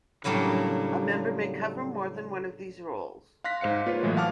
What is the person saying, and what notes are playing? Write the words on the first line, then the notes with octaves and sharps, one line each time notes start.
A member may cover more than one of these roles.
A2 C#3 F#3 G3 A#3 D4
F5 C6 F#6 A#6 B6
G#2 C5 F5 C#7
A#3 F4 B4 C#5
A2 E3 F#3 G#3
F5 F#5 A5 D6 F6